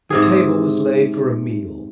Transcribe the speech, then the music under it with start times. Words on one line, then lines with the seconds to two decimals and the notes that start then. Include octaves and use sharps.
The table was laid for a meal.
0.10 G#2 C3 G#4